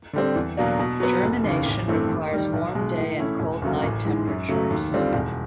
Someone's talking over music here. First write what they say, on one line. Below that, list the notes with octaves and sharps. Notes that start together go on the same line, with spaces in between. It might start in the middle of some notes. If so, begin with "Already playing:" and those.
Germination requires warm day and cold night temperatures.
D3 G3 C4
E2
B2 F#3 A#3 D4
B2
F#3 B3
F1
D#2 C#3
A1
G2 E3 A3 C4
D#2
D#3 G3
B1
B2 G#3
A2
E3 A3 C#4 E4
E1
D2 C#3 F#3 A#3
A1
G#2 E3 G#3
F#2
C#3 F#3 A3
D#2
D3 G3 C4 F4
E1